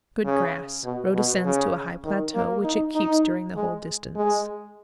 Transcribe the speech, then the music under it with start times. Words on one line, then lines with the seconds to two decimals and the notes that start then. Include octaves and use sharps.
Good grass. Road ascends to a high plateau, which it keeps during the whole distance.
0.25 C#3
0.85 B2
1.15 B2
1.45 C#3
2.05 D#3
2.34 A#3
2.64 D#4
2.95 D#4
3.56 G#3
4.16 G#3